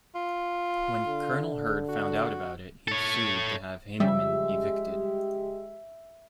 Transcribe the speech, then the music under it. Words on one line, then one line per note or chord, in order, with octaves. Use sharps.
When Colonel Hurd found out about it, he sued to have Hyndman evicted.
F4
D3
F#4
A4 C#5
C#3 F3 G3 G#3 G4 E5